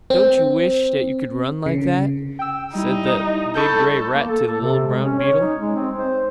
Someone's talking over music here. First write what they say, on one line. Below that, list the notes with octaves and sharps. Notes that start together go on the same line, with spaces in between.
"Don't you wish that you could run like that?" said the big grey rat to the little brown beetle.
C4
C#3
G5 E6
G3 D#4 E4
A4 B5 C#6 G6
A#3
A4
A4
C3
G#3
C#4
C#5
D#4
G#3
C4
C5